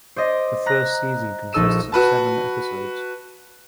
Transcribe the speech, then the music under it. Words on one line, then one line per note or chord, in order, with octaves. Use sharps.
The first season consists of seven episodes.
C5 D5 D#5
A#5 F#6 A#6
A#1 D#4 A4 E6 D#7 E7
F#4 B4 A5